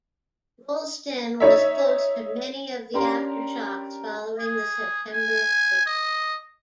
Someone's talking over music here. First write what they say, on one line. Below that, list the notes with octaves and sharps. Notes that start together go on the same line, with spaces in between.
Rolleston was close to many of the aftershocks following the September quake.
D#4 C#5 E5
C#4 D4 G4 A#4 A#5 C6
G#4
G#5
D#5